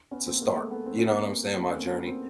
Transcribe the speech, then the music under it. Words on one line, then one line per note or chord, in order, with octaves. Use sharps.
to start, you know what I'm saying? My journey,
B3 C#4
A#3 C4
G#3 A#3
A3 B3
A3 B3
C4
C#4
A#3 C4
A3 B3
C#4
A#3 C4
B3 C#4
A#3 C4